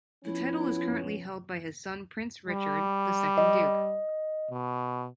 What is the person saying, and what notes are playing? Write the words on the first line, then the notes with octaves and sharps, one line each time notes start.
The title is currently held by his son Prince Richard, the second Duke.
F3 B3 C#4 E4
G3
D#5
B2